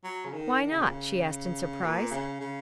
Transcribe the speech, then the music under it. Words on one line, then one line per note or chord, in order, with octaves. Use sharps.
"Why not?" she asked in surprise.
F#3
C#3
D#3
D#3
C#3
A#2
C#3
A#2
C#3
C#3